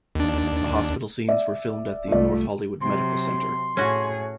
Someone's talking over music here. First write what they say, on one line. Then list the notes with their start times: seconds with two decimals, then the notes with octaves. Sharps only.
The hospital scenes were filmed at the North Hollywood Medical Center.
0.15 D#2 D4
1.29 D5 E5
2.08 C2 A3 F4 D5
2.81 C3 F#3 C6
3.77 A2 C#4 F#4 G#4